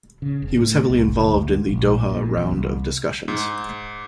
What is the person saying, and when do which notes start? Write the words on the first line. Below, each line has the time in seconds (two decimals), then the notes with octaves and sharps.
He was heavily involved in the Doha round of discussions.
0.22 C#3
0.42 E1
0.57 A2
0.90 C2
1.04 F#1
1.28 D2
1.69 A#1
2.09 A#2
2.37 E2
2.51 C2
3.28 G#2